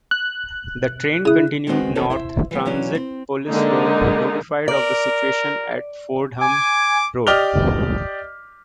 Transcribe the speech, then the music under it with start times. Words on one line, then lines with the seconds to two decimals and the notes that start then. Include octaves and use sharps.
The train continued north; transit police were notified of the situation at Fordham Road.
0.11 F#6
1.25 C#3 E4 D#6
1.67 D#3 G#3 B3 C4 F#4 B4
1.95 E2 D#3 C4 C#4 A4
2.10 E4 C5 E5
2.51 E3 G3 B3
2.65 E3 F#3 C#4 D4
2.95 C4
3.46 D3 G#3 A#3 D#4
4.68 A#4 D5
6.41 G#5 D6
7.27 G4 D5 D#5 F6 F7 G7